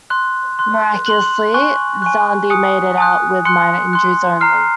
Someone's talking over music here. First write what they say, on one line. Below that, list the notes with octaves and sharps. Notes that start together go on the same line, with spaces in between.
Miraculously, Zandi made it out with minor injuries only.
C6 F#6
C6 F#6
C6 F#6 F#7
G#5 C#6 F#6
G#5 C#6 F#6
G#5 D#6 F#6 C#7
G#5 D#6 F#6
C6 F#6 C#7
C6 F#6
A#5 F6 C7